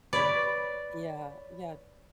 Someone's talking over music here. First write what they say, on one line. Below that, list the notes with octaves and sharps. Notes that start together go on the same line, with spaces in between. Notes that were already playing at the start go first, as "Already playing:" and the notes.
Yeah, yeah.
B4 C#5 D5 B5